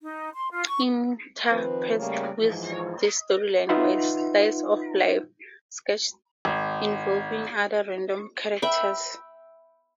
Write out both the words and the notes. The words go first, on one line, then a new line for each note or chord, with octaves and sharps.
Interspersed with this storyline were "slice-of-life" sketched involving other random characters.
D#4
C6
F4
C#6
D#3 F3 C4 B4
C#3 G3 A3 A#3 C#5
G#2 E3 F3
D#4 F4 B4 E5 F#5 C6
G#1
E5 G5 B5